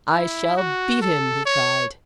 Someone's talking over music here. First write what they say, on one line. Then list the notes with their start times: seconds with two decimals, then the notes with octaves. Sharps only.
"I shall beat him!" he cried.
0.13 E4
0.57 F#4
1.02 A4
1.46 C#5